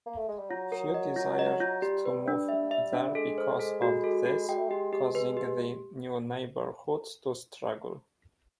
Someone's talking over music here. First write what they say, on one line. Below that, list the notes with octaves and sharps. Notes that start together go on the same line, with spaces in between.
Few desired to move there because of this, causing the new neighborhoods to struggle.
A#3
A3
G#3
G3
F#3 F4
A#4
D#5
F4
D#5
F4
G3 G4
B4
D4
E5
E5
D4
G#3 A4
C5
A4
F#4
A4
F#4
G#3 G5
A3
G#3 G4
G4
B4
G4